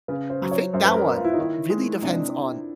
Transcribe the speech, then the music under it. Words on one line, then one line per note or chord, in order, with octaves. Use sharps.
I think that one really depends on
C#3 B4
C5
F#3
C#5
F#2 C5
B4
A#4
A#3
F4
E4
D#4
D#3 E4
G#3
C3 D4